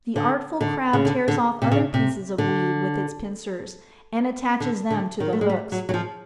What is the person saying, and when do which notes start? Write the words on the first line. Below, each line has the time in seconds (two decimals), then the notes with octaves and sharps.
The artful Crab tears off other pieces of weed with its pincers, and attaches them to the hooks.
0.16 D3
0.61 D3
0.93 C#3
1.05 D3
1.28 D3
1.62 C3
1.72 C#3
1.94 C3
2.38 D3
4.60 D3
4.90 D3
5.20 D#3
5.33 A3
5.41 G#3
5.50 G3
5.72 F#3
5.89 F#3
5.94 F3